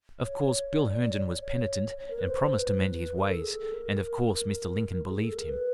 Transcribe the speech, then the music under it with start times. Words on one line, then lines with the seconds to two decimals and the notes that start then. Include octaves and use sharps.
Of course, Bill Herndon was penitent and promised to mend his ways, and, of course, Mr. Lincoln believed him.
0.23 C#5
0.81 D5
1.11 C#5
1.40 C#5
1.98 C#5
2.10 A#4
2.19 B4
2.28 C5
2.57 B4
3.16 A#4
3.29 A4
3.42 G#4
3.54 A4
3.73 A#4
4.32 A#4
5.10 G#4
5.23 A4
5.36 A#4
5.49 B4